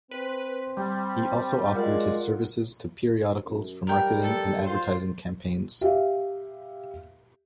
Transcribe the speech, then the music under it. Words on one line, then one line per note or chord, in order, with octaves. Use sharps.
He also offered his services to periodicals for marketing and advertising campaigns.
C4 B4 C5
G3
G#3 F4 A#4 D5 F#5
F#2
G3 A#4 G5
A4
F4 C5
G4 E5 F5